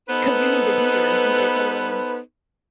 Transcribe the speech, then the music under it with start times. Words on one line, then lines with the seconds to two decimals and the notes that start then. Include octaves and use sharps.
'cause you need the gear, like, "Hello."
0.09 B3 D#4 A4 B4 C5